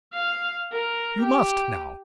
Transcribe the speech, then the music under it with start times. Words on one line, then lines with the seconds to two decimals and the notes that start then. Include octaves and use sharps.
You must, now!
0.13 F5
0.72 A#4
1.21 G4